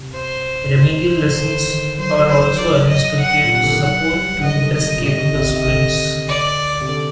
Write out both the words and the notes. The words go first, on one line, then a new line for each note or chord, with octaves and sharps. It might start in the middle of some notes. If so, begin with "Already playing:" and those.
Remedial lessons are also arranged to give support to less capable students.
Already playing: C3
C5
C5
D#3
D3
D#3
F#3 C5
F#3
C5
D#3
F#3 D5
D#5
F#5
A#2
C3
D3
D#3
F#3 F#5
G3
D#3 D#5
D3
C3 D#5
A#2
C3 D#5
D#3
D3
C3
C3
D3
D5
C3
D3